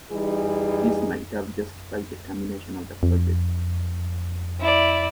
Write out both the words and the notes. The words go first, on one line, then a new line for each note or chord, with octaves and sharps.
This might have justified the termination of the project.
E3 G3 D#4 G#4
F2
E4 D5